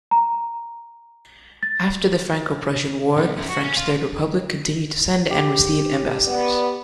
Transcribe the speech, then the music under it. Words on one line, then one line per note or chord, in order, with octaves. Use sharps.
After the Franco-Prussian War, the French Third Republic continued to send and receive ambassadors.
A#5
A6
B1
F#2
F#4
C#4
F4
G4
B3 D5